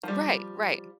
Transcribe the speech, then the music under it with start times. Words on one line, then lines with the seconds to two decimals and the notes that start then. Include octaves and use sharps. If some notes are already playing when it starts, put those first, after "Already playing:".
Right, right.
0.03 F3 G3